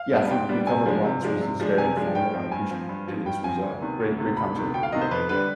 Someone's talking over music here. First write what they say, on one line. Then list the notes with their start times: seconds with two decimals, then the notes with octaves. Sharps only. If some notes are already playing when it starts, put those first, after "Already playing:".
yeah, I think we covered a lot, this was this was very informative, I appreciate it. This was a great great conversation with you.
Already playing: F5
0.12 G3 B3 D4
0.31 G#2 G5
0.49 G3 B3 D4
0.67 C3 G#5
0.86 F3 G#3 D4
1.04 C3
1.23 F3 G#3 D4
1.41 C3
1.60 F3 G#3 D4
1.78 C3 G#5
1.96 F3 G#3 D4
2.15 G2 G5
2.34 F3 C4
2.52 G2 G#5
2.71 F3 C4
2.89 G2
3.08 F3 C4
3.26 G2 G5
3.44 F3 C4 G#5
3.63 D2
3.81 C3 D#3 B3
4.00 D2
4.18 C3 D#3 B3
4.37 D2 B5
4.55 C3 D#3 B3
4.74 D2 G5
4.83 F5
4.92 C3 D#3 B3 D#5
5.01 C5
5.11 F2 B4
5.29 D3 G3 D4 B4